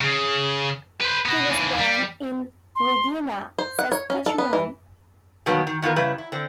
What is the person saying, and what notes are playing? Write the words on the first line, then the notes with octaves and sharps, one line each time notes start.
He was born in Regina, Saskatchewan.
C#3
B4 C5
B3 F#4
D#2 E3
G3
C6
C5
F#5
C#5
C#4
A4
B3
E3
B2 D#3 F#3 G3 A#3 B3
D#3
D#3 B3 F4 A#4
C#3 G3 E4 B4
E4
D3 C4